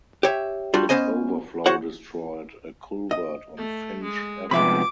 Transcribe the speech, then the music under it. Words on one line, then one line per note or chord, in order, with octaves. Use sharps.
Its overflow destroyed a culvert on Finch Avenue.
G4 C#5 E5
G3 D4 F4 F#4
B3 C#4 C5 D#5 G#5
F#4 C5 C#5 F#5
D#5
A3
G#3
C3 F3 G#3 B3 E5 B5 D6